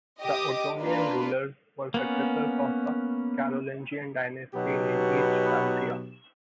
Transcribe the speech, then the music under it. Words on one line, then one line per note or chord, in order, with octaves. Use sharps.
The Ottonian rulers were successors of the Carolingian dynasty in East Francia.
G4 D#5 D6 D#6
A#3 D4 F4 B4
A#3 B3 C#4
B2 F#3 B3 D#4 G4